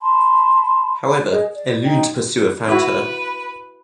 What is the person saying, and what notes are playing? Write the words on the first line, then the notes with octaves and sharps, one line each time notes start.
However, Eluned's pursuer found her.
A5 B5 C6
G#4 D#5
D5
D#4 G5
E4 F#4 B4